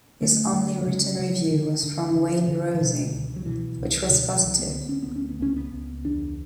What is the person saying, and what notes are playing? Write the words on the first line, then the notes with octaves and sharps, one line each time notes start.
His only written review was from Wayne Rosing, which was positive.
D3 A3
D3
A3
C#3 G#3
C#3
D3
D3
D3
D3
E3
B2 D3
C#2
F#3
B2 E3
C#2
B2 D3
F#3
C#2 E3
B3
D3 B3
C#4
D2 B3
C#4
B3
C#2 C#4
B3
C#2
E2 D4